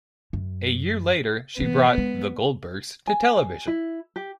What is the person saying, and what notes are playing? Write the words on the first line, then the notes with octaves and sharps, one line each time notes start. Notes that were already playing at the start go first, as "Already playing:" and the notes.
A year later, she brought "The Goldbergs" to television.
F#2
G#2 E3 B3
G#3
G#5
E4
G4